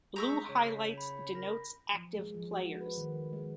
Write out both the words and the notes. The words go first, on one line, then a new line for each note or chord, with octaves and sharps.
Blue highlights denotes active players.
G#3 G#4 A#5 C#6 E6 G6 B6
C#3 C#5
B5
A#4 A#6
F3
G#3
F3
F#4
B4
D#3
G#3